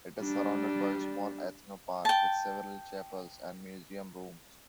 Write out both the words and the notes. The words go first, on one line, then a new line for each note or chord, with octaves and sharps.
It is surrounded by a small ethno-park with several chapels and museum rooms.
G3 D4
G5 A5